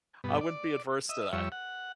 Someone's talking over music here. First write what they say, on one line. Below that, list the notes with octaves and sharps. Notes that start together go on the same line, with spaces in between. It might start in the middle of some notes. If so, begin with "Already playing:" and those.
I wouldn't be adverse to that.
G2 B2 B3
D5
D#5 E5
F2 G3 C#5 E5
F#5